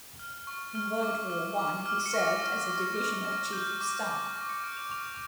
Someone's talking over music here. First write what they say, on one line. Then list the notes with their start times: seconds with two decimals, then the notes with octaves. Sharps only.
In World War One he served as a divisional chief of staff.
0.19 F6
0.47 C#6
0.75 F6
1.03 D6
1.30 F6
1.59 D6
1.86 F6
2.06 C#7
2.14 C#6 A#6
2.42 F6
2.69 C#6
2.96 F6
3.24 D6 A#6
3.53 G6
3.81 D6
4.09 G6
4.36 C#6 A#6
4.49 C#7
4.64 G6 D7
4.77 F7
4.91 C#6 F7